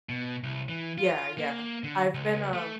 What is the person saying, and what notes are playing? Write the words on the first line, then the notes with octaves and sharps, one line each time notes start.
Yeah, yeah, I've been, um
B2
C2
E3
F4
A#3
D3
C#2
A3